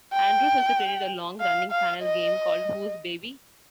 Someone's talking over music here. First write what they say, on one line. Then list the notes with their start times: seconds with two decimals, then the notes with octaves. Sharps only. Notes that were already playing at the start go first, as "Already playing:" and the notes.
Andrews also created a long-running panel game called Whose Baby?
0.13 G5
1.40 F5
1.71 F5
2.03 D#5